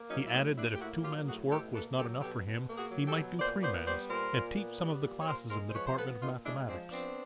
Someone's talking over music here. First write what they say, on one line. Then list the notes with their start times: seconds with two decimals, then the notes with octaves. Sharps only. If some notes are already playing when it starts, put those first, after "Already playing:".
He added that if two men's work was not enough for him, he might do three men's, and teach some of the classes in the Department of Mathematics.
Already playing: A#3
0.10 F#3 C#4 D#4
0.27 E4
0.33 A2 C#4 D#4
0.56 A2 D4 E4
0.75 G4
0.80 A#3 E4 F#4
1.03 F#3 F4 G4
1.27 A2 F#4 G#4
1.50 B2 G4 A4
1.74 A#3 A4 B4
1.97 F#3 G4 A4
2.21 B2 G4 A4
2.45 B2
2.68 A#3
2.76 F#4 G#4
2.92 F#3
3.08 G4 A4
3.15 B2
3.39 A#2 C5 D5
3.62 B3 C5 D5
3.86 G3 C5 D5
4.09 A#2 A#4 C5
4.33 A#2
4.56 B3
4.80 G3
5.04 A#2
5.21 C#5
5.27 A#2 A#4 C5
5.50 G#3 A#4 C5
5.70 C5
5.74 F3 B4 C#5
5.87 C5
5.97 B3 A4 B4
6.21 A#2 D#4 F4
6.44 G#3 D4 E4
6.68 F3 C4 D4
6.91 B3 C4 D4